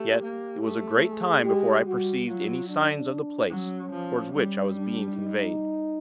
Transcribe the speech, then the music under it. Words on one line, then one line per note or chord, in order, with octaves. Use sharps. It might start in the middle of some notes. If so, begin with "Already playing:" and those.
Yet, it was a great time before I perceived any signs of the place, toward which I was being conveyed.
Already playing: A3 G4
A#3
A3
G#4
G#3 G4
G3 F#4
F#3 F4
D4
F#3 C#4
F3
G3
D4
D#4